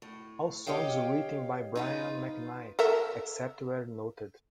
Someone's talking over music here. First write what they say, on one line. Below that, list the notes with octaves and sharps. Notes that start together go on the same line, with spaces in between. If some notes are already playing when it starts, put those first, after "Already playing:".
All songs written by Brian McKnight, except where noted.
A2
G4 C#5 D#5 F5 G5
D#4 F4 B4
A4 A#4 E5